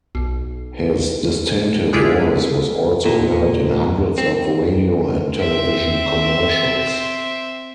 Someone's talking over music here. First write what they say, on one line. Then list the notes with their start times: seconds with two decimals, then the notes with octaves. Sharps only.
His distinctive voice was also heard in hundreds of radio and television commercials.
0.15 B1
1.93 G#3 D4 E4 F4 G4 G#4
3.06 A#2
4.18 C4
5.37 C4 E5